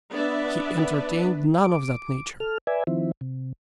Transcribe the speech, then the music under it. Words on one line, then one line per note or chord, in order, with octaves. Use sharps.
He entertained none of that nature.
B3 D4 B4 D5 E5
D6
A4 F6
B4 D5 E5 G#5
D#3 F3 C4 E4
C3